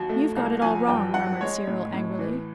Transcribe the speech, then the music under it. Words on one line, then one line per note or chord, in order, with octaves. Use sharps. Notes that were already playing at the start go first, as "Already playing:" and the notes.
'You've got it all wrong,' murmured Cyril angrily.
Already playing: D#2 F#3
A3
C2
F3 G#5
G2 G5
G2 F#5
G#3 C#5
A2
A2
E3